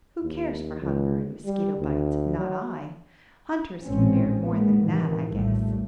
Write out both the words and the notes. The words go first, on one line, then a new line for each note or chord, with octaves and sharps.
Who cares for hunger and mosquito bites? Not I. Hunters can bear more than that, I guess.
D#2
C#2
G3
D2
F#3
A1 A#2 G#3 C4 C#4
A2 G#3 A#3 B3
A2 C3 D#3 E3
A#1 D#2 A2 G3 A3